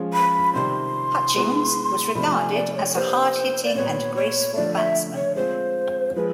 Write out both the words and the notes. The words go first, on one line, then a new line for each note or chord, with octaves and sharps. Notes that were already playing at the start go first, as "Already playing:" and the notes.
Hutchings was regarded as a hard hitting and graceful batsman.
Already playing: F3 G#3 C#4 F4
B5
C3 D#3 G3 C4 C6
G#3 B3 E4
C3 F3 A3 D4 B5
G#5
D5
C#5
A#3 D4 G4 B4 C5
D5
A#2 G3 B3 C#5
C#5
D3 F3 A3 D5
E5
C#5
G#3 C4 F4 C5
F3 G#3 B4